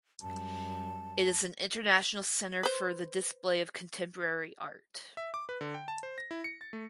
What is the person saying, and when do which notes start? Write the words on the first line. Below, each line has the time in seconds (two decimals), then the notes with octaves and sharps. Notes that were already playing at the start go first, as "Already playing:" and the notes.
It is an international centre for the display of contemporary art.
0.22 F#2 G3 A5
2.63 B4 C5
5.17 E5
5.34 D6
5.49 B4
5.61 D3
5.74 G5
5.88 A5
6.03 C5
6.18 A#6
6.31 E4
6.44 C#7
6.61 A6
6.73 A3